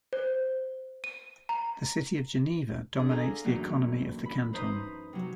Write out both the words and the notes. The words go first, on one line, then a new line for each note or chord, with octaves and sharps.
The city of Geneva dominates the economy of the canton.
C5
D#7
A#5
E2 D4 G#4
F4 G#4 A4 F5 G#5 A#5
F#2 A2 D3 E3 F#3 A#3
B5
D#4 B4 C5 A#5 D#6
C3 F#3